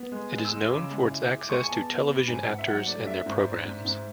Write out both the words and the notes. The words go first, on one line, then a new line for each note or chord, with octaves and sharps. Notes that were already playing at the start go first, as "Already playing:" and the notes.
It is known for its access to television actors and their programmes.
Already playing: B3
G#3
G#3
E6
G#3
E6
C#3 D6
G#3
E4
E4
D6
G#3 C#6
G#5
B3 A5
B3
B3 B5
G#2 G#5
G#2 F#5
E5
F#3 F#5
A3 D5
D4 E5
G#2
D4
G#2
G#2